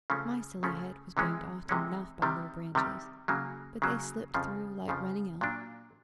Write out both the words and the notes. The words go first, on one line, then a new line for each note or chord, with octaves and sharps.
My silly head was banged often enough by low branches, but they slipped through like running elk.
C#3 F3 A3 C#4
C#3 F3 A3 C#4
C3 E3 G#3 C#4
C3 E3 G#3 C#4
C3 D#3 G3
C3 D#3 G3
C#3 F#3 A#3
C#3 F#3 A#3
F2 C#3 F3
F2 C#3 F3
A#2 F#3 A#3 D4